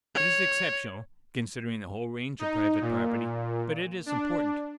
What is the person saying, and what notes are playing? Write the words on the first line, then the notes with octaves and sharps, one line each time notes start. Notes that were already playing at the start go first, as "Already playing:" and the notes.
It is exceptional, considering the whole range of private property, but it is important.
C#5
D#4
A#2
D4